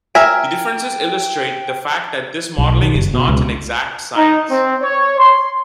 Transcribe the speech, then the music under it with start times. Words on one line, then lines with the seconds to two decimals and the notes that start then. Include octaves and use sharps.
The differences illustrate the fact that this modelling is not an exact science.
0.15 A#4 E5 G5 G#5
2.58 B1
2.82 D#3
2.95 F#1
3.14 B2
3.28 C#2
4.17 D#4
4.50 C4
4.82 C#5
5.18 C6